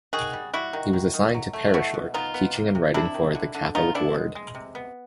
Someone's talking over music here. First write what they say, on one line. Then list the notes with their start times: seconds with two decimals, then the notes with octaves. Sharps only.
He was assigned to parish work, teaching and writing for the "Catholic Word".
0.13 D#3 F#4 G#4
0.33 G3
0.53 G3 E4 F#4
0.73 D#3
0.93 D#3
1.14 D#3
1.34 F#3
1.53 A3
1.74 B2 E4 F#4
1.94 B2
2.14 B3 D#4 F4
2.34 B3
2.54 C3
2.75 C3
2.94 C3 D4 E4
3.14 D#3
3.35 D3
3.55 D3
3.75 B3 D#4 F4
3.95 B3 D4 E4
4.15 G#3
4.35 G#3
4.55 C3
4.75 B3